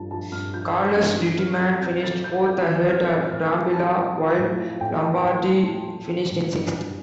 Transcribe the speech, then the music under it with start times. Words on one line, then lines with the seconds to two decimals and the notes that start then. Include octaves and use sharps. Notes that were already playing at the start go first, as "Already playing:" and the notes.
Carlos Reutemann finished fourth ahead of Brambilla, while Lombardi finished in sixth.
Already playing: G2 F3 A5
0.11 F3 A5
0.32 G2 F6
0.54 F3 G6
0.75 F3
0.96 G2
1.18 F3
1.39 F3 F6
1.53 G6
1.60 F2 A6
1.82 F2 G6
2.03 F3 A6
2.24 F2 G6
2.46 F2 G6
2.67 F3
2.77 G6
2.88 F2 F6
3.10 F3 A6
3.31 A2 F6
3.52 F3 D6
3.74 F3 A5
3.95 F3 F5
4.16 F3
4.38 A2
4.59 F3
4.81 A2 G5
5.02 F3 A5
5.23 A2 A5
5.45 F3 C6
5.66 F3 A5
5.88 F3
6.09 F3
6.30 A2
6.52 G2
6.73 G2